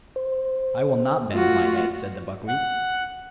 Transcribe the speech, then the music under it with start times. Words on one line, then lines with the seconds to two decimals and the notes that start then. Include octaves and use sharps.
"I will not bend my head," said the buckwheat.
0.16 C5
1.34 A3 F4 F#4
2.48 F#5